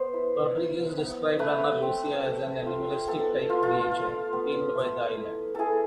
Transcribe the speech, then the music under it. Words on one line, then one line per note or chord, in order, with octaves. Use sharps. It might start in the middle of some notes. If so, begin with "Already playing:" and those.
Rodriguez described Ana Lucia as an animalistic type creature... tamed by the Island.
Already playing: B3 C5
E4
E4
B3
A3 B4
C4
A3
F4
B3 A4
F4
F4
F4
B3
A3
E4
E4 G#4 A4